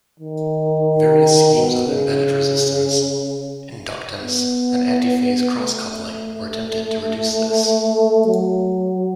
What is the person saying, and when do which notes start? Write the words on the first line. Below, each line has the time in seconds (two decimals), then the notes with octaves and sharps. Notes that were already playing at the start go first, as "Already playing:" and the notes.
Various schemes of embedded resistance, inductance and antiphase cross-coupling were attempted to reduce this.
0.20 D#3
1.54 B2
1.87 C#3
4.23 B3
5.58 A3
8.27 F#3